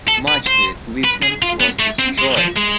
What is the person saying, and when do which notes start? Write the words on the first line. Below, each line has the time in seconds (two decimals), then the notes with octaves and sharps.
Much the equipment was destroyed.
0.08 A4
0.28 B4
0.47 C5
1.04 B4
1.23 G#4
1.42 F4
1.60 B3
1.79 A3
1.99 C4
2.18 G#3
2.37 F3
2.56 G#3